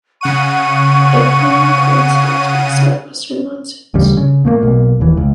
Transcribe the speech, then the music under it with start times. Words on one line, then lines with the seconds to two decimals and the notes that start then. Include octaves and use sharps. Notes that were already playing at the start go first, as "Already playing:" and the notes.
Egg laying coincides with the southwestern monsoons.
0.21 C#3 F#5 C#6 D#7
3.94 A1 D2 C#3 G3
4.17 C#3
4.45 A#2 A3 A#3
4.62 B1 B2 A#3
5.00 F1 D#2 E3
5.17 C#2